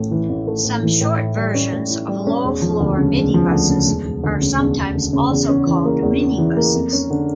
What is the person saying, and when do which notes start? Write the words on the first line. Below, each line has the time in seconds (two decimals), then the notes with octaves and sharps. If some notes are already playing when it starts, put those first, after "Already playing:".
Some short versions of low floor midibuses are sometimes also called minibuses.
Already playing: A1 A2 A3
0.11 E3
0.29 A1
0.47 A3
0.65 A2
0.83 E3
1.01 A2
1.19 E4
1.36 G3
1.55 C#4
1.73 A2
1.90 E4
2.08 G3
2.27 C#4
2.44 E1
2.62 F3
2.80 D2
2.98 C#3
3.16 E1
3.34 F3
3.51 D2
3.70 C#3
3.87 E1
4.06 E1
4.23 D2
4.41 C#3
4.60 E1
4.77 E1
4.95 D2
5.13 C#3
5.30 E2
5.49 C#4
5.67 E3
5.85 A#3
6.02 E2
6.21 C#4
6.38 E3
6.56 A#3
6.74 F2
6.93 C#4
7.11 D3